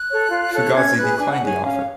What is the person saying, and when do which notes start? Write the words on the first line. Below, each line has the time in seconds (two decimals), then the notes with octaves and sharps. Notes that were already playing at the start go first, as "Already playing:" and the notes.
Fugazi declined the offer.
Already playing: F#6
0.10 A4 C#5
0.31 F4
0.54 A4 C#5
0.75 C#4 G#6
0.97 G#4 B4 F#6
1.19 D4 G#5
1.32 F#5
1.42 G#4 C#5 G#5
1.63 C#4 F5
1.75 C#5